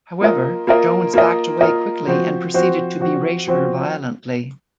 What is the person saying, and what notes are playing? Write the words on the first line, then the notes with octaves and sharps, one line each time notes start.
However, Jones backed away quickly and proceeded to berate her violently.
A#3 F4 A#4 D#5
A#3 F4 A#4 D#5
A#3 F4 A#4 D#5
A#3 F4 A#4 D#5
F3 C4 F#4 C5
F3 C4 F#4 C5
F3 C4 F#4 C5
F3 C4 F#4 C5